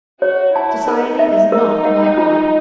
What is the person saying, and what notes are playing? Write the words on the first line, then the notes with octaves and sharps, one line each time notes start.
Society is not my God.
F#4 C#5
E4 A5
D#4 A#4
E5
D#4 A#4
F#5
F4